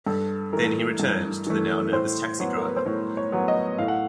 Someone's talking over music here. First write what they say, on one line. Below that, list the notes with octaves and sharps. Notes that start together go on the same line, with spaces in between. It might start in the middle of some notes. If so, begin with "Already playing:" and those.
Then he returned to the now nervous taxi-driver.
G2 A4
E3 A3 A#4
G2
E3 A3
A2 C5
F#3 B3 C#5
A#4
B4
C5
A2 C#5
C#5
F#3 B3
D#5
A2 F5
F#5